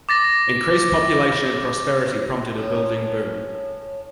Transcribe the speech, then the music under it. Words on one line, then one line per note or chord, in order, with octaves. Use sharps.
Increased population and prosperity prompted a building boom.
D6 A6 A#6
A2 C#4